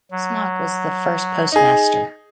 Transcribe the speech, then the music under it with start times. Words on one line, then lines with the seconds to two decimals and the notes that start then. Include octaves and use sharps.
Smock was the first postmaster.
0.11 F#3
1.52 D#4 G#4